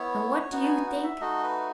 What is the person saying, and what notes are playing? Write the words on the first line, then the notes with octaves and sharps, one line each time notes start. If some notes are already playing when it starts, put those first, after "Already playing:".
And what do you think!
Already playing: B3 E4 C#5
B3 D#4 F#4 F#5
A5
G#5
F#5
E5
A3 D#4 F#4 D#5
B4